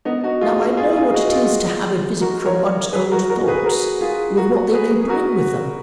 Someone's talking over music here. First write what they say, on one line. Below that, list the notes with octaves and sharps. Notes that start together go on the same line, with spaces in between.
Now, I know what it is to have a visit from one's old thoughts, with what they may bring with them!
B3 D#4
D#4 F#4
F4 G#4
F4 G#4
F4 G#4
D#4 F#4
F4 G#4
F#4 A#4
A#4 C#5
G#4 B4
F#4 A#4
F#4 A#4
G#4 B4
F#4 A#4
F4 G#4
F#4 A#4
G#4 B4
G#4
F#4 A#4